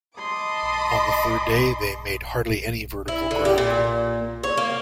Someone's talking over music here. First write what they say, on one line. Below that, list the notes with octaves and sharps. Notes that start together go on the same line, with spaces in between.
On the third day they made hardly any vertical ground.
D#5 A5 B5 C6 D6 D#6
E4
D3
G4
A#2
C#5
A#3